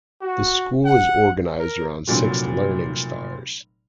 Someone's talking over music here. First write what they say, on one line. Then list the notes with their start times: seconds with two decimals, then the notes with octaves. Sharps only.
The school is organised around six Learning Stars.
0.21 F#4
0.85 F#5
1.59 A#4
2.08 F1 A#2 F#3 C4